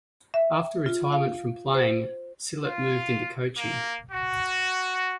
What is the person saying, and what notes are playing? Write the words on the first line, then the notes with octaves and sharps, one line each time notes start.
After retirement from playing, Sillett moved into coaching.
E5
F4
F5
C5
F4
A#3
F#4